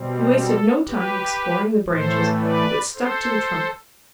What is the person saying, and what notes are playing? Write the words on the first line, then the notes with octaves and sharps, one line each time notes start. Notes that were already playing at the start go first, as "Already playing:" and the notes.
He wasted no time exploring the branches, but stuck to the trunk.
Already playing: B2 G3 C4
A4
G4 B4
A2 E3 A3 A4 C5
B4 D5
A4 C5